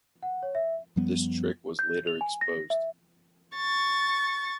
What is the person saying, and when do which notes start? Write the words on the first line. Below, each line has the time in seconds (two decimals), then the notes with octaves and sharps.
This trick was later exposed.
0.23 F#5
0.43 C#5
0.55 E5
0.96 F#2 F3 G3 B3
1.79 G6
2.07 F7
2.21 G#5
2.41 A#6
2.70 E5
3.56 C#6 A6